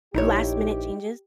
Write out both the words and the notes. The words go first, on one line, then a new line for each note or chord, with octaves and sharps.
last minute changes,
A#1 D#4 E4 G4 C#5